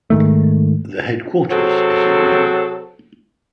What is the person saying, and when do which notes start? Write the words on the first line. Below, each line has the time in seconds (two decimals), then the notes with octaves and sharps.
The headquarters is in Rome.
0.10 G#2 D#3 A3
1.51 C3 F#3 C4 G#4 A4